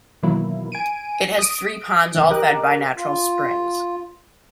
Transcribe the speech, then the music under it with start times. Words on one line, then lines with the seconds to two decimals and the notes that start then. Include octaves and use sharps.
It has three ponds all fed by natural springs.
0.23 B2 D#3 E3 F#3 A#3 E4
0.72 G#5 D7 D#7
1.39 D#6 D7
2.15 C2 D#3 E3
2.30 G4 A#4 D#5 D6 F#6
2.96 F4